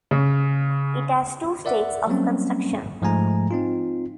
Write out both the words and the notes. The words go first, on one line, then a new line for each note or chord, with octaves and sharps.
It has two states of construction.
C#3
A#4 D5 E5 F#5
F#3 G3 A#3 C4 C#4
G#2 F3 G#3 A3 G#5 A#5
C4 D#4 F4